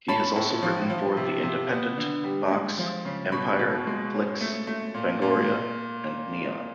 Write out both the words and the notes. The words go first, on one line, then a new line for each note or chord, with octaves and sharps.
He has also written for "The Independent", "Vox", "Empire", "Flicks", "Fangoria" and "Neon".
C#4 A5 B5
A2
F3
F3
C3
C3
B3
D3
G3
G#3
F3
C#3
B2 B5 C#6
B2
G#3
C#4
A3
A3
A#2
A#2